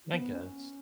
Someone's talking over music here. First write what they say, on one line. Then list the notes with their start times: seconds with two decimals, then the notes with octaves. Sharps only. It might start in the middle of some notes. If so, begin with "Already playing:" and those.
I guess.
0.13 B3
0.33 C#4